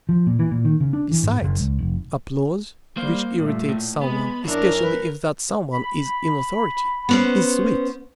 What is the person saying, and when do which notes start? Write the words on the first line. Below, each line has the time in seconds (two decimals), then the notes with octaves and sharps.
Besides, applause which irritates some one, especially if that some one is in authority, is sweet.
0.09 F3
0.27 A#2
0.39 E3
0.51 A#2
0.65 D#3
0.80 C#3
0.93 D4
1.11 E3
1.23 G#2
1.42 F#1
1.60 C#2
1.79 F1
2.97 G3 A#3 C5
3.38 G2 A#2 A3
3.69 A2
4.01 G#3 B3 B5
4.44 F#2 C#4 D4 E4 A#4
4.81 B4
5.72 B5
7.09 B3 C#4 C5